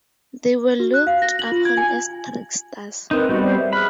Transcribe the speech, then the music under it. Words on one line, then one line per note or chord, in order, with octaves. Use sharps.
They were looked upon as tricksters.
F#4
F#6
F5
A#6
F#7
F4
G#6
G#5
C4 D#4 A#4 B4
G3 B3 C4 F#4 D#5
G4 C5 D5
E5
G#4 B5 F6 F#6